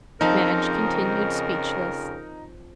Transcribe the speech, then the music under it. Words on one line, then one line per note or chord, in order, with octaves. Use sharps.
Madge continued speechless.
F2 C#3 F3 C4 D#4 A#4 F5